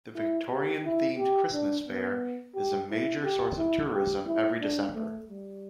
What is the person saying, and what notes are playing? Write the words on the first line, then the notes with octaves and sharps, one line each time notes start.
The Victorian-themed Christmas Fayre is a major source of tourism every December.
E4
G4
E4
G4
D4
B3
G4
E4
G4
E4
G4
E4
D4
A3
G3